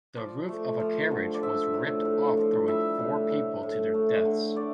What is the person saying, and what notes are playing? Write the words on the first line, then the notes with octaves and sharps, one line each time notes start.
The roof of a carriage was ripped off throwing four people to their deaths.
F3 D5
A3
F3
D3
D5
F3 E5
A2
A2
F3
G3 E5
A2
A2
A2
A3
D3
A3 D5